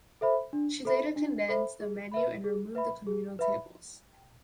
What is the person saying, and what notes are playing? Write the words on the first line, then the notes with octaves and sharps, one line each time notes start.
She later condensed the menu and removed the communal tables.
A4 C5 E5 B5
D4
A4 C5 E5 B5
D4
A4 C5 E5 B5
G#4
B4 E5 B5
G#4
B4 E5 B5
G#4
B4 E5 B5